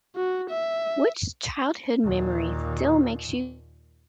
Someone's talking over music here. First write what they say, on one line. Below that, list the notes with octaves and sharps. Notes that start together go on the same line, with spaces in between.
Which childhood memory still makes you
F#4
E5
D#2 A#2